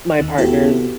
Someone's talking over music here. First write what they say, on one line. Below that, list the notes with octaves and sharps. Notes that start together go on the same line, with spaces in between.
My partner's
D#2 D#3
B3 E4 F#4 G4 A4